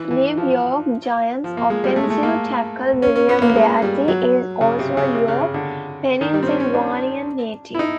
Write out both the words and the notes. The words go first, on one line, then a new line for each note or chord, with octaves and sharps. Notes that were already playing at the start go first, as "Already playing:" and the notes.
New York Giants Offensive Tackle William Beatty is also a York, Pennsylvania native.
Already playing: E3
E3
F3
F3
A#3
G#3
G3
A3
G#3
A3
A#3
C#4
C#4
B3
A#3
G#3
G3
F#3
C#3
C3
C#3
C3
C#3
C#3
D3
D#3
G3
C4
C#4
C#4
D4
E4
D#4